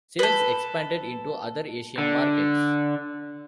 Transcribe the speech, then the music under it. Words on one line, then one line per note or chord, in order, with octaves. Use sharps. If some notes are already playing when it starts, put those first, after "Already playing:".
Sales expanded into other Asian markets.
A4 B4
D3